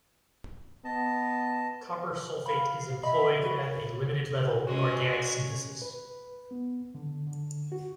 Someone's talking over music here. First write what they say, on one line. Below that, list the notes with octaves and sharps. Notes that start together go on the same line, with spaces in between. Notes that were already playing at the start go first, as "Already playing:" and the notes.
Copper sulfate is employed at a limited level in organic synthesis.
B3 D#5 A5
F5 B5
D#5 E5 B5
F#4
G#3 C#4 F#4
B4
B3
D3
D3
F#4